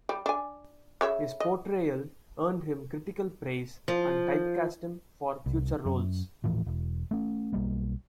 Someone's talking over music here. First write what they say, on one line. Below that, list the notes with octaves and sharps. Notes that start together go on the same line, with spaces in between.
His portrayal earned him critical praise and typecast him for future roles.
G3
D4 G#5
C#3 C#5 E5
D#5
F3
C2
F#2
D#1 A2 E3 F3
E1
A3 C#4
B1 G3 A#3